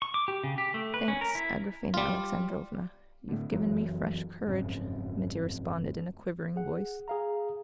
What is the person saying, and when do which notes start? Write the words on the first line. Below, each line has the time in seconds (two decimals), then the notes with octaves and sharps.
"Thanks, Agrafena Alexandrovna, you've given me fresh courage," Mitya responded in a quivering voice.
0.02 C#6
0.14 D6
0.28 G4
0.44 C#3
0.58 G4
0.74 A3
0.94 B4
1.08 C#4
1.21 A#4
1.35 E4
1.94 G3 F4
3.29 A2 D3
3.51 F1 F#2 E3 F#3
4.47 F#1 F2 G#2 C#4
6.56 G#4 F#5
7.08 G#4 F5 A#5